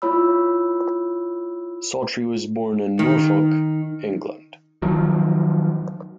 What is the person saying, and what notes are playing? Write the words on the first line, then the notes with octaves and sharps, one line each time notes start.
Sawtrey was born in Norfolk, England.
E4 F4 C#5 B5 E6
D#3
D#3 F3 F#3